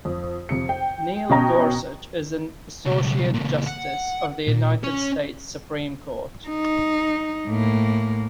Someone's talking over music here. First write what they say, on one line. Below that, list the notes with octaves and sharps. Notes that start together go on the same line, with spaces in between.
Neil Gorsuch is an Associate Justice of the United States Supreme Court.
F2
F2 C3 C#7
G5
B2 C#4 D#5 G5 A#5
B1 C#3
A#2 C#3
F#5
A#2
C#4 C#5
D#4
A2 A#3